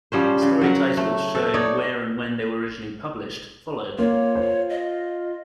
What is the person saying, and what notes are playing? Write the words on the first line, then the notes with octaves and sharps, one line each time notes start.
The story titles, showing where and when they were originally published, follow.
F3 G3 C#4 C5
C#3
F#3 A#4 F#5
A3
A4
D#4 C#5 D5
A#3 F4 C#5
C5
D#5